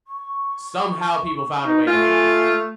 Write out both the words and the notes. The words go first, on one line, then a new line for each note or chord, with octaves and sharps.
Somehow people found a way to hate that.
C#6
D#4
A3 F4 G#5